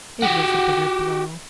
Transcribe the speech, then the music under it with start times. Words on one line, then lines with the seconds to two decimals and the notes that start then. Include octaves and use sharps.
It was a bitter blow.
0.22 F#4 G4